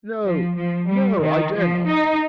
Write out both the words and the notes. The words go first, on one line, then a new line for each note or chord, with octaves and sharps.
"No--no, I dare not."
F3
F3
G3
D#3
F3
D#4